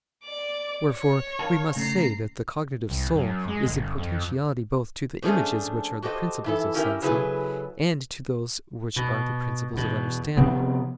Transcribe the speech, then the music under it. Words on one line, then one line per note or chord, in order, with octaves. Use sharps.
Wherefore we must say that the cognitive soul is in potentiality both to the images which are the principles of sensing, and to those which are the principles of understanding.
D5 D6
C#5
A#4 F5 A5
C#3 A3 A#5 C7
C2
F#2
G#3
G1
F2
F3 A3 C#4 D4 G#4 C5
F#4 G4 A4 C5 D#5
E3 E4 A4
C#4 E4 G4 A#4 E5
C#3 F#3 E4 G#4 A4 B4
B2
E2 B2
C3 F3 B3 C4